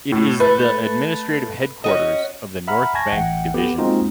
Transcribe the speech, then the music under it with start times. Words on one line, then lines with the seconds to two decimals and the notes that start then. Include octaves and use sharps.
It is the Administrative headquarters of the North Bank Division.
0.12 A2
0.40 A3 B4
1.84 C#4 F#4 D#5
2.68 E5 F#5 A#5 B5 F6
2.95 G#5 A5 C#6 G#6 A#6
3.12 A1 E5 F#5 G5
3.54 B3 G4 A4
3.78 G#3 A#3 C4 D#4 F4 F#4